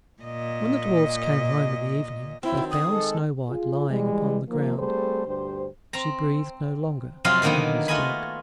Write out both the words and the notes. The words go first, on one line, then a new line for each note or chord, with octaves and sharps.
When the dwarfs came home in the evening, they found Snow-white lying upon the ground; she breathed no longer, and was dead.
A#2 D#5
F#3 C4 E4
D#3
D#6
G#3 A4
F4 G#4
E3 G3 G#3
D#3 F3 A#3
G3 A3 C4 G#4 A4 C5
D2 G2 G4 C5
C4 A#5
F2 C3 F#3 F4 D#5 F5
D3 D#3 F#3 A#3 B3 D#4
A3 F4 F#4 D#5 G#5 B5